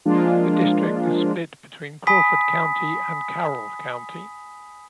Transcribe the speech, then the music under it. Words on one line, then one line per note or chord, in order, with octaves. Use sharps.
The district is split between Crawford County and Carroll County.
F3 G#3 A#3 D4 F4
G#5 B5 D#6 B6